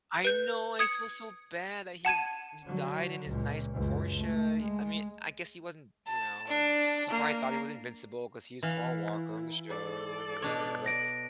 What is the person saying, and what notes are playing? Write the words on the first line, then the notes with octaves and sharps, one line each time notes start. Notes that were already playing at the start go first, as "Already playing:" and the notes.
I know, I feel so bad that he v He died in his nice Porsche, he I mean, I guess he wasn't you know, and he probably thought he was invincible 'cause he was Paul Walker on the show and everything, but
B4 G6
D#6 G#6 C#7
F#5 A5 G#6 D#7
D3 F#3
C#2 A#2
C#2 F#2
A3
G#3
A5
D4
A#3
E3 E4 F5
A4 D5
B2 D4 C#5
A#6 D7